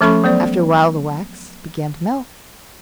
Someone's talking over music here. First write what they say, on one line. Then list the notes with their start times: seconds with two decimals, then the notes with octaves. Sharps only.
After a while the wax began to melt.
0.01 F3 A3 C#4 A4 B5 C#6
0.24 F#3 B3 C5 D5